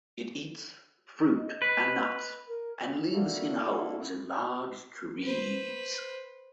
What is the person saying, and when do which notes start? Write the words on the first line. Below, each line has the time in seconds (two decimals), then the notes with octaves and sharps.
It eats fruit and nuts and lives in holes in large trees.
1.37 D#5
1.62 B4
2.48 A#4
3.12 A#3 D4 E4 F#4 A4
5.23 B4 C5